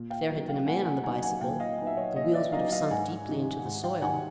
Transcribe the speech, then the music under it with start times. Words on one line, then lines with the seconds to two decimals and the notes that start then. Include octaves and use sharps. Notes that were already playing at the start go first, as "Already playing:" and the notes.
If there had been a man on the bicycle, the wheels would have sunk deeply into the soil.
Already playing: A#2
0.10 F5 G5
0.30 F#3 B3 D#4
0.48 F5 G5
0.67 A#2 F#5 G#5
0.85 F#5 G#5
1.04 F#3 B3 D#4 F#5 G#5
1.23 F#5 G#5
1.41 A#2 F5 G5
1.60 D#5 F5
1.78 F#3 B3 D#4
1.87 E5
1.97 C#5 D#5
2.16 A#2 C#5 D#5
2.34 D5 E5
2.52 F#3 B3 D#4 D#5 F5
2.72 D#5 F5
2.90 G#2 F#5 G#5
3.28 D#3 G3
3.65 G#2
3.84 F5 G5
4.02 D#3 G3 F#5 G#5